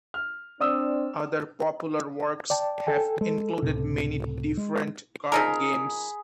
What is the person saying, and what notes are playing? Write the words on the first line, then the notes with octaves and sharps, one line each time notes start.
Other popular works have included many different card games.
F6
C4 D4 D5 D#6 E6
D5 G5 A5
A4 G5 G#5
G#3 A4
C#2 A2 C3
G#3
F3 D#4 G#4 A#4 B5